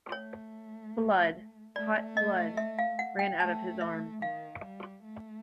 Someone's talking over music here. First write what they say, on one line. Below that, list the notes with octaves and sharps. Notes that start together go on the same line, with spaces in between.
Blood, hot blood, ran out of his arm.
A3 C#5
A3 D5
D#5
E5
F5
F#5
G5
A3 A5
E5
D#3 F5
G3
A3